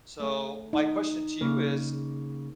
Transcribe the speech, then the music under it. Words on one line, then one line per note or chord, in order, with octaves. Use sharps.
So my question to you is
A3
D#4
C#3 A#3